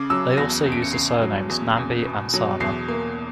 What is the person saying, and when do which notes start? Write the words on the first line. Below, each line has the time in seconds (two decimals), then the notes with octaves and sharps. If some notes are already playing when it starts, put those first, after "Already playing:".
They also use the surnames Nambi and Sarma.
Already playing: C#3 D6
0.10 F#3 E6
0.37 E2 A#6
0.66 E2
0.72 D7
0.82 C#7
0.93 C#3 C7
1.21 F#3
1.50 E2
1.77 E2
2.05 B2
2.34 F#3
2.60 E2 C7
2.88 A#3